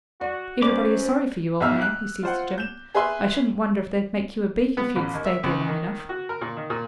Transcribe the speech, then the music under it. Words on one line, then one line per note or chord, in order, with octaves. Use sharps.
Everybody is sorry for you, old man,' he says to Jim. 'I shouldn't wonder if they'd make you a beak if you'd stayed there long enough.
F#4 D5
F#2 C#4 B4 C5 D5 D6
B1 G#2 B2 E5 E6 F6
F#6
F4 C5 F#5
G6 E7
G#4 B4 E5 C6
B3
A1
D#2
E5
C#2
D#3
F#4
A#4
A#2
D#3
A#2